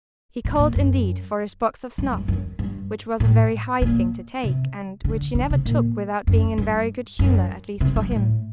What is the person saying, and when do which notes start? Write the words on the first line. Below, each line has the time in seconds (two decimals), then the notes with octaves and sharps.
He called indeed for his box of snuff, which was a very high thing to take; and which he never took without being in very good humour, at least for him.
0.45 A2
0.55 A2
0.60 A#2
0.75 F#2
1.98 G2
2.13 G2
2.28 F#2
2.59 G2
3.20 A2
3.82 A#2
4.44 C3
5.04 D3
5.35 D3
5.50 C3
5.66 A#2
6.27 F#2
6.58 G2
7.19 F#2
7.81 C3
7.96 G2
8.11 A2